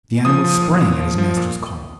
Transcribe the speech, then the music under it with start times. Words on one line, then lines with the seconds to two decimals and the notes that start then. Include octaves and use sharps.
The animal sprang at his master's call.
0.25 F3 D#6
0.44 F3
0.62 A#2
0.81 A#2
1.00 F3
1.18 F3
1.37 A#2